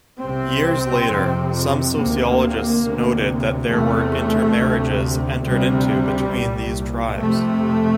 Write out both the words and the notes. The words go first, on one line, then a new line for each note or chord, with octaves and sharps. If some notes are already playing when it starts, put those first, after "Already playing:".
Years later, some sociologists noted that there were inter-marriages entered into between these tribes.
C2 C3 C4
F2 C3
C3 A#3
D2
D2 C3
E2 C3 A3
D2 C3
D2 C3 G3
C2 A#2
F2 C3 A3